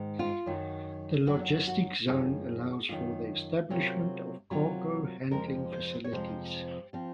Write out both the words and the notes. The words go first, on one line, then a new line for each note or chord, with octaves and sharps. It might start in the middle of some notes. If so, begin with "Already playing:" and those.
The logistics zone allows for the establishment of cargo handling facilities.
Already playing: G#2 D#3 G#3
F4
F#2 D#3 F#3
F#2 D#3 F#3 F#4
F#4
F#2 D#3 A#3 F4 G#4
F#2 D#3 A#3 F4
C3 F#3 A#3 F4
C3 F#3 A#3 F4
F2 C3 F3 G#3 A#4
C5
C#5
F2 C3 F3 G#3 C5
F3 C4 F4